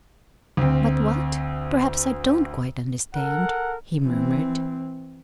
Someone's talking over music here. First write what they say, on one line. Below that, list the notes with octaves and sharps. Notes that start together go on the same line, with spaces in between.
"But what--perhaps I don't quite understand," he murmured.
D2 C4
A4 A#4 F#5
E3 C4